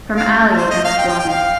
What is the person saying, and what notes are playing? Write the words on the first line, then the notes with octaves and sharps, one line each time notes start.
From Ali against Foreman.
F5
C5
D#5
F5
G5
G5
G5
F5